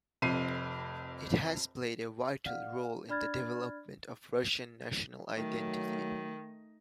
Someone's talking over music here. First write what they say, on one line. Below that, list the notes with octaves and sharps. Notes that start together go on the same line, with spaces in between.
It has played a vital role in the development of Russian national identity.
F1 F2 C7 D#7
D5 F5 F#5 F6
D4 D5 B5 F6 G#6 A6
D#3 F#3 A3